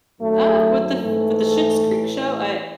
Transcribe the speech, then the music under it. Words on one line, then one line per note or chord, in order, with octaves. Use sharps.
Uh, with the f with the Schitt's Creek show, I
F#2 D#3 F#3 A3
G#2 E3 A3
A2 E3